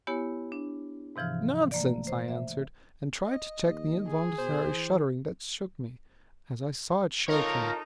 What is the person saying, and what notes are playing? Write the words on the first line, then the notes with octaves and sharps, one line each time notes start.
"Nonsense," I answered, and tried to check the involuntary shuddering that shook me, as I saw it shake him.
B3 E4 G4 C#5 G#5
D4
G#2 C3 E3 F3 F6
A3 A#3 D5
C5
E5
D#5
D#2
G#4
B2 C5
E3
D#4 F4 A4 A#4 C#5